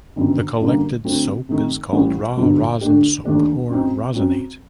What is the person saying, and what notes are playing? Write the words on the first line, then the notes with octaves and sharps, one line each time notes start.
The collected soap is called "raw rosin soap" or "rosinate".
G1 F#2 D#3
F#2 D3 G3 A#3
D3 F#3 A3 C4
C3 D#3 A3 D#4 A4
A1 A2 G3
G1 G2 D3 F#3
D3 A3 D4 G4
D#2 D#3 A3 D4
F#2 F#3 C4 D#4
F#2 F#3 C4 F#4